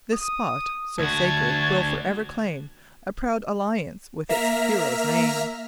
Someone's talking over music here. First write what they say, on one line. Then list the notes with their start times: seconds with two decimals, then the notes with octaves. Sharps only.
This spot so sacred will forever claim A proud alliance with its hero's name.
0.15 D#6
1.00 D2 F#4 A5 G#6
4.29 A#3 E5 A#5 F6 B6